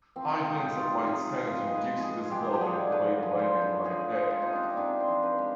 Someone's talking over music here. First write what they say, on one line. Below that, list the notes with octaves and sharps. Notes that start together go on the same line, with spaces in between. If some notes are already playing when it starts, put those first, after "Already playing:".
High winds at White Sands reduced visibility and delayed the landing by a day.
F3 C4
G#3 D#4
C3 F4
C3 G#4
F3
B4
G#3 G#4
B4
F3 G#4
F4
G#3 G4
G4
D3 G#4
D3 B4
F3
C5
G#3
B4
F3 G#4
G#3
F4
C3 D#4
D4
D#4
C3 D4
C5
F3
B4
G#3